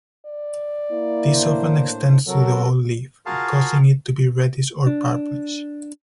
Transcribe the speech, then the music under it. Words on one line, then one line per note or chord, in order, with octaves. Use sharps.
This often extends to the whole leaf, causing it to be reddish or purplish.
D5
A#3 E4
A2 D4 C5
C3 F#3 F#4 A4 A#4
F4 F#4 G#4 A#4 F5 A5
D4